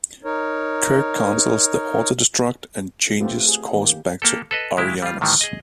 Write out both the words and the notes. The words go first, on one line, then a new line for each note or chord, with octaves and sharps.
Kirk cancels the auto-destruct and changes course back to Ariannus.
D#4 A#4 C#5
A3 C4 F4 G4 A4 B4
G#4
D#3 A#3 G4
A#3 G4 A4
A4 B4 D#5
C#3 G#3 E4 G4
G3 F4
A2 D#3 E3 G3
G#4 D#5